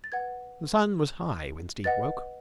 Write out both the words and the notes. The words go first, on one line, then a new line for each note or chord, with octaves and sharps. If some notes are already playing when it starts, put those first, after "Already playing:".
The sun was high when Steve woke.
A6
B4 F#5 G#6
B4 D#5 F#5 A6